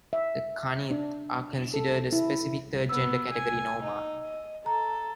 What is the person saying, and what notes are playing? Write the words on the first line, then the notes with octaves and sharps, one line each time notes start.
The "khanith" are considered a specific third gender category in Oman.
E5
D4
A4
E4
B3 E6
G#5
D#4
D#5
A4 A#5